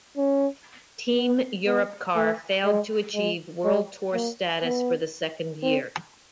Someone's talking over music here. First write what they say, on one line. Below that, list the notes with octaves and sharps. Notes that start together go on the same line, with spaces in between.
Team Europcar failed to achieve World Tour status for the second year.
C#4
B3
B3
A3
G#3
G#3
G#3
A#3
B3
C4